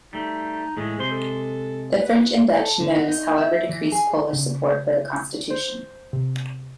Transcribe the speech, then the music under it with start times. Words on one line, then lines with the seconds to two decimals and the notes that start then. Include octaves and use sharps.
The French and Dutch no's however decreased Polish support for the Constitution.
0.13 G3 A3 D#4
0.77 A2 E3 G#3 G#4
0.99 C3 G#3 C5 C6
1.12 A4
2.00 B4
2.57 A4
2.80 D3
2.96 B3
3.08 D#4
3.38 E5
3.69 E3
3.92 G#4
4.33 C#3
5.50 C5
6.13 C3